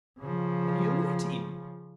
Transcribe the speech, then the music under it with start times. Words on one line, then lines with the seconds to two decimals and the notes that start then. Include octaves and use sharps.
"And you let him?"
0.18 C#3 F3